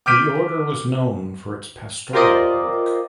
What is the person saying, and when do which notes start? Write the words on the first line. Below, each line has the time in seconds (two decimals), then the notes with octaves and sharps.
The order was known for its pastoral work.
0.06 D6 F6 G6 B6 D7 D#7
2.13 F4 G4 A#4 C5 D5 D#5